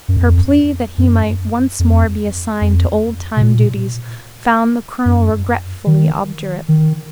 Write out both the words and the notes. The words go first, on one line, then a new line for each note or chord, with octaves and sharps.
Her plea that he might once more be assigned to old-time duties found the colonel regretfully obdurate.
F#2
F2
F#2
F2
F2
B2
A#2
F#2
D#3
D#3